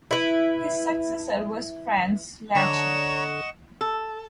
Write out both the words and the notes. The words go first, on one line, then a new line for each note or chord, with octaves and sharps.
His successor was Franz Lachner.
E4 B4
D3 C#5 D#5 F#5 A#5 C#6 E7
A4